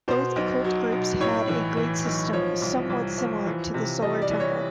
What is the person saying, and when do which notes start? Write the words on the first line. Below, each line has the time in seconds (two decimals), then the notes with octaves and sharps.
Both occult groups had a grade system somewhat similar to the Solar Temple.
0.08 B2 C5
0.36 B1
0.64 F#3
0.92 B1
1.20 A2 C#5
1.49 E3
1.77 E3
2.05 B1
2.33 F3 C#5
2.61 C2
2.90 C2
3.18 F3
3.46 E3
3.74 C3
4.02 G3 D#5
4.22 D5
4.31 E3
4.40 C#5